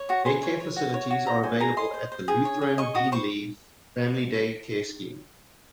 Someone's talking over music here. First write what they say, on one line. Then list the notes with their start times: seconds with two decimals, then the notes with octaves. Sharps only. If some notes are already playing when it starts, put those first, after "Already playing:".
Day care facilities are available at the Lutheran Beenleigh Family Day Care Scheme.
Already playing: C#5
0.09 F#4 C#6
0.25 G#4 C6
0.43 C#5
0.60 C#5
0.76 F#4
0.94 C#5
1.11 F#4
1.26 C5 A#5
1.43 C5 G#5
1.60 G#4 A#5
1.77 D#5 C6
1.94 C5
2.12 C5
2.28 G#4
2.45 C#5
2.61 G#4
2.78 D#5 C#6
2.95 F#4 D#6
3.12 C5 C#6